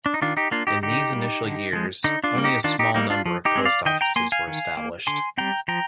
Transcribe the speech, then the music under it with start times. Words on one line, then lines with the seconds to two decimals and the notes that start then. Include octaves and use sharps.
In these initial years, only a small number of post offices were established.
0.06 D4
0.14 D#4
0.22 D#3 D4 F4
0.37 D#4 G4
0.51 A#3 D4 F4
0.67 D#4 G4
0.83 D3 D#4 G4
1.13 G3 A#3
1.44 D3
1.73 F3 G#3
2.04 D3 D#4
2.24 D4 F4
2.35 G3 A#3
2.44 D#4 G4
2.64 D#3 D4 F4
2.79 D#4 G4
2.94 G3 A#3 D#4
3.10 D4 F4
3.26 F3
3.45 D#4 G4
3.56 G#3 C4
3.65 D5 F5
3.86 D#3 D#5 G5
4.01 G5 A#5
4.16 A#3 G#5 C6
4.32 F5 G#5
4.47 D#3
4.77 A#3
5.07 D3 G#5 C6
5.38 G3 C4 G5 A#5
5.68 F3 G5 A#5